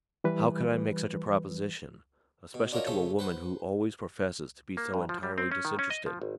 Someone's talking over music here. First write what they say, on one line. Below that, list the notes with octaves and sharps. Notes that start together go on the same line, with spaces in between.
"How could I make such a proposition, especially to a woman who always professes to be so entirely disinterested?"
E3 G3 B4
B2
D4 F4 F#4 A#4 C#5 D#5
C#3 A3 C#4 A4 C5
B4 C5 F#5
A#3
G2
F3
G3
C4
C#4
D#3
C#4
D#5
F3
G#1